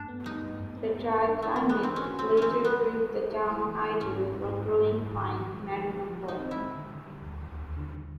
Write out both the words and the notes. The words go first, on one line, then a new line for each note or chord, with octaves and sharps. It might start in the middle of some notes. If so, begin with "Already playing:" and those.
The dry climate later proved the town ideal for growing fine merino wool.
Already playing: G2 A3 D4
B3
G3 D#4
G2
G2
B3
G3
G3
D4
A3 D4
A#3
E3
B3
C4 D4
C#4 F#4
C4 F#4
A3
C4 C#4
E3
G3 B3
G3
G3
G3
G3
E4
E3
E4
G#2 C#4
G3
G#2
G#2
G#2
G3
G#2
D#3
F3
G#3
F3
F3
F3
G#3
D#4
C4
E4
G#3
D3
D3
G3
D#2
D#2
D#2
D3
D3